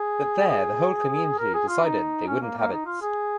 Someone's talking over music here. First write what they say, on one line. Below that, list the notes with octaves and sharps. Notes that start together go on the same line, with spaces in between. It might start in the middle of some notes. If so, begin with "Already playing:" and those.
But there the whole community decided they wouldn't have it.
Already playing: G#4
G#4
A#4
G#4
F4
D#4
C#4
A#3
A#3
D#4
F4
G#4